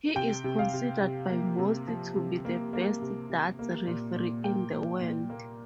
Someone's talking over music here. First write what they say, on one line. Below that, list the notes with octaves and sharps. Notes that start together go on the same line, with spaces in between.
He is considered by most to be the best darts referee in the world.
C3 G5
C3
F5
C3
C3
A#3
C3
F3
C3
A#3
A#3
C3
C3
A#3
A#2
A#2
A#3 G5
A#2
A#2
A#3